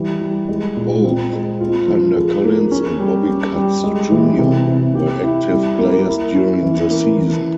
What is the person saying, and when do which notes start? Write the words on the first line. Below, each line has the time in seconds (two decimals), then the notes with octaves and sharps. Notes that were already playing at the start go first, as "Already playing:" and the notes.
Both Thunder Collins and Bobby Cutts Junior were active players during the season.
Already playing: E3 G3
0.21 G3
0.49 G#3
0.77 A#2
1.04 C4
1.33 G#3
1.60 F4
1.88 F3
2.16 G#4
2.44 A#3
2.72 C#4
2.99 G3
3.28 G4
3.55 G3
3.84 G#3
4.11 E3
4.39 C3
4.67 C3
4.95 G4
5.23 E4
5.51 G3
5.79 A#3
6.07 E4
6.35 C#4
6.62 E3
6.91 A#3
7.18 E3